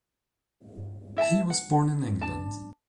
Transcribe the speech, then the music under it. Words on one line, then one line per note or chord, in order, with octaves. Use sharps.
He was born in England.
E4 E5 G5 A5
F#5
D4 A5